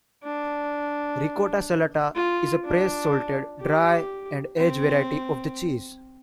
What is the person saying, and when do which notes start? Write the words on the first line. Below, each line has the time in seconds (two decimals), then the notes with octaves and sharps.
"Ricotta salata" is a pressed, salted, dried, and aged variety of the cheese.
0.24 D4
2.16 F4
2.64 D4
3.61 G4
4.57 C4